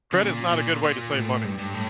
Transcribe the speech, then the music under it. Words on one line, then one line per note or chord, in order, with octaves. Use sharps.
Credit is not a good way to save money.
C#3
A#2
A#2
A#2
A2
G2
G2
A2